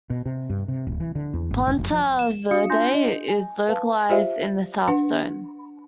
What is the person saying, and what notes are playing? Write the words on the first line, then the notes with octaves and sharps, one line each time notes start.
Ponta Verde is localised in the South Zone.
B2
C3
G2
C3
D1
E3
D3
E2
G#1
F1
F1
F3
E7
D4 F#4 F5 D#6 C#7
D4 F4 G#5 C6 G6 A#6
D4 D#5
G#5
B4 F5 A5
F4 G4 C5 D5 E5 F5
D4 B4 F#5